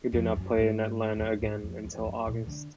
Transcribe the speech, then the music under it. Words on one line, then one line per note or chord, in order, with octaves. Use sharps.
He did not play in Atlanta again until August.
F2
F#2
G#2
G#2
F#2
G#2
F2
F2
F2
F#2
A#2
D3